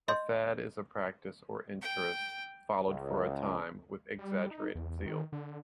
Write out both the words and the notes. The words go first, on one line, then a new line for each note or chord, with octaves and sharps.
A fad is a practice or interest followed for a time with exaggerated zeal.
D#5 C6 G6
G5
C#2
G3
D#4
E2
D#3
D3